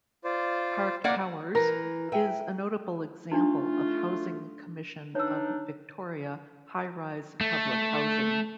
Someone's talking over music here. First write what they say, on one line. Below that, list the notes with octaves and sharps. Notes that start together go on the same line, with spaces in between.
Park Towers is a notable example of Housing Commission of Victoria hi-rise public housing.
F4 C5 D5
A#3 D5 F#5
E3 A#4
E5 G5 G#5
A3 D4 D#4 F4
E3 D4 D#4 C#5 E6
A3